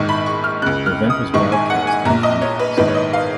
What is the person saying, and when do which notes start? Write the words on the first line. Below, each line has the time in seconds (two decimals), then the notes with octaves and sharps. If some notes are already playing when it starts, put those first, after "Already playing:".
The event was broadcast on Comcast.
Already playing: A#1 G#2 D#3 C#6
0.09 B5
0.26 C#6
0.44 F6
0.62 C#2 C#3 F#6
0.86 F6
1.10 D#6
1.33 A#1 G#2 D#3 C#6
1.52 G#5
1.70 F#5
1.87 G#5
2.05 A#1 A#2 A#5
2.23 D#5
2.41 C#5
2.59 B4
2.77 A#1 G#2 D#3 B4
2.88 C#5
2.95 D#5
3.13 F5